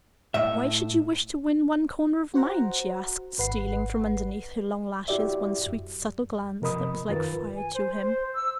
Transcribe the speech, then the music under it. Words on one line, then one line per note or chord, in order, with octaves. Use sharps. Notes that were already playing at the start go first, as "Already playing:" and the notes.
"Why should you wish to win one corner of mine?" she asked, stealing from underneath her long lashes one sweet, subtle glance that was like fire to him.
A2 E5
F#4 C5 F#5 A#5
G#1 B4 F#5 C7
E4 F#4 G4 D5 E5
F#2
C3 F3 A#4 D#5 B5 D#6
F#2 D#3 F4 A#4 B4 A6
G#5
C5
C5
E6